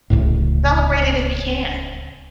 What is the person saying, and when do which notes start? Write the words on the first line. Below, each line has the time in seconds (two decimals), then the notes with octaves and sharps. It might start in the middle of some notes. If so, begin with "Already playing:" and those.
celebrate it if you can.
0.10 D1 G#1 C#2 A2